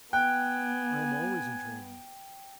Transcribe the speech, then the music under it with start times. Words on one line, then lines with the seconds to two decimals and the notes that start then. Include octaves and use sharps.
"I am always in training."
0.13 B3 G5 G#5 F#6